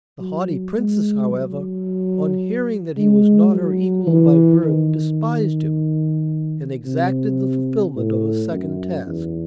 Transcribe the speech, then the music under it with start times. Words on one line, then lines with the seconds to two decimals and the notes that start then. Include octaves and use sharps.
The haughty Princess, however, on hearing that he was not her equal by birth despised him, and exacted the fulfilment of a second task.
0.20 F#3
0.76 G#3
1.30 F#3
2.97 G#3
3.52 F#3
4.07 E3
4.63 D#3
6.85 C3
7.96 A2
8.51 F#2
9.06 E2